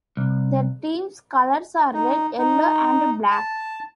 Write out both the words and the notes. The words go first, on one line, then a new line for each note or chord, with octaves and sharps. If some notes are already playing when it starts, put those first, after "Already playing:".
The team's colours are red, yellow and black.
C2
D#4
D#4
A5